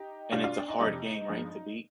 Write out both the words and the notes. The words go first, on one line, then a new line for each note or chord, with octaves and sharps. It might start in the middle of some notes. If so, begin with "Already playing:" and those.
And it's a hard game, right, to beat?
Already playing: D#4 G4
B2 G3 D4 F4
D4 F4
D4
D#4
F2 C3 G3 D#4
G2 F3 G#3